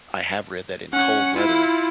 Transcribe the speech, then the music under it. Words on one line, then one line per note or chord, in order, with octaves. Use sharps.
I have read that in cold weather,
C#4 F#5
E4 F4